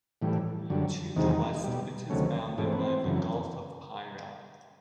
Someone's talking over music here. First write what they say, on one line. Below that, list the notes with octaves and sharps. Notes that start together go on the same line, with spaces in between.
To the west it is bounded by the Gulf of Paria.
A2 E3 G3
F#2 D3 G3
E2 C3 D#3 G#3 D#4
B2 G3
D2 C3 D#3 F#3 A3 C#4
G#2 E3 A3 C#4
C4
B3
C4
F#2 C#3 E3